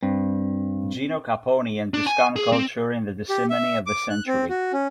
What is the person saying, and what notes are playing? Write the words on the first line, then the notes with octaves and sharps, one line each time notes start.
Gino Capponi and Tuscan culture in the decimony of the century.
G2 C4
D4
G#5
G#4
C4
G4
E5
D6
F#6
C4
F#4
C#4